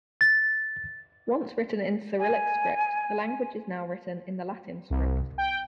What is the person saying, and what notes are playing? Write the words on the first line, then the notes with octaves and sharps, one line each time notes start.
Once written in Cyrillic script, the language is now written in the Latin script.
A6
G#5
C2
G5